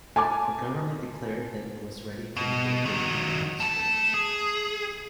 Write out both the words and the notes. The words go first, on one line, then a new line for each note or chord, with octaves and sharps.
The government declared that it was ready to negotiate with the demonstrators.
G#5 A5 D6
B2
D#3 F#3
A3 A5
G#4